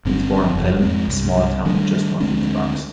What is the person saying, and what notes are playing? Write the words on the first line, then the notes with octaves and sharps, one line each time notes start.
He was born in Pelham, a small town just north of the Bronx.
G1 C4
F#1 F2
F2 G#3 C4
C2 G2
D#3 G3 A3 D4
D2 G#3 C4 D4